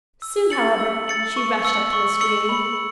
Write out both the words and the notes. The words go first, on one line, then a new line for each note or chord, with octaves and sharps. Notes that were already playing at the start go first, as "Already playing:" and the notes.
Soon, however, she rushed up to Miss Green.
E6
A6 C#7 F#7
E6
A6 C#7 F#7
C#6
E6 C#7 F#7
C#6
E6 C#7 F#7
B5